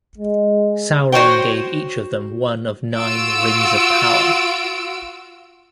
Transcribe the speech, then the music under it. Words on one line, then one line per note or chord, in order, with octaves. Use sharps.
Sauron gave each of them one of nine Rings of Power.
G#3
F#4 C5 C#5 G5
F4 F#4 E6 D7